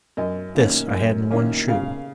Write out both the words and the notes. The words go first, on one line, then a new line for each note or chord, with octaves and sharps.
This I had in one shoe.
F#2 D#5
D#3 A#3 C#4
F#2
D#3 A#3 C#4
C#3 F5